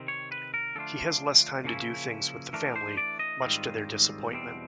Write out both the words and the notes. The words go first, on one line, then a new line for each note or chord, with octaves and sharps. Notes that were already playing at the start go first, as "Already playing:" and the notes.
He has less time to do things with the family, much to their disappointment.
Already playing: C3 D#3 C4
C#5
B4
A#4
D3 F3 A3 D4 F4 A4
C#3 F3 A#3 C#4 E4
E3 A3 D4 A#4
C5
D5
D#5
G#2 D#3 G3 C4 F4
E2 B2 G3 C4